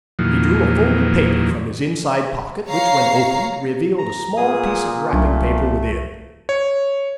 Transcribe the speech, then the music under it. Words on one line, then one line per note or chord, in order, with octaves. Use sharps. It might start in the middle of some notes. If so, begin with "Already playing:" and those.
He drew a folded paper from his inside pocket, which, when opened, revealed a small piece of wrapping paper within.
E2 A#2 D#3 F3 F#3
C#5 F5 A#5 C7
A#5
A#2 G#4 D#6
C2 F#3 A3 D4
C#5